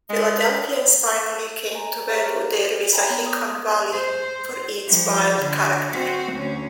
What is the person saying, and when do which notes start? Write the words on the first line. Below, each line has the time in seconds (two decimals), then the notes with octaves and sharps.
Philadelphians finally came to value their Wissahickon valley for its wild character.
0.10 G#3
1.75 G#5 A#5
2.10 G#4 C5 C#5 F5 A#5 F6
2.26 G4 C5
2.92 C#5 E5 G5 G#5 A#5 B5
3.10 B3
3.26 D#6
3.93 C5
4.87 F3 G3
5.40 D3
5.92 C4 F#4
6.33 D2 C#4